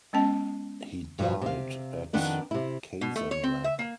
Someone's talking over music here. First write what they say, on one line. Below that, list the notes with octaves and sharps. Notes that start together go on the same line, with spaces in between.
He died at Kazanlak.
G#3 B3 C#4 D#5 G5 A5
G2 B2 E3 F3
C3 F5
F2 D#3 B3 D4 F#5
C3 E4
B2
A3
C#5
C4
E5
A#3